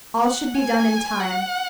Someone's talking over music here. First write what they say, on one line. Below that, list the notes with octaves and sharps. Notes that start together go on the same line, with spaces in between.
All should be done in time.
F#5
G#5
F#5